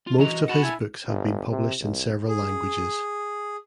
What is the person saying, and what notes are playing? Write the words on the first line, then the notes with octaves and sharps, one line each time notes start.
Most of his books have been published in several languages.
F4
E3 F#4 D#5 A#5
F#4 F#5 A5 B5
E4 G#5
G1
C3
C2
G#4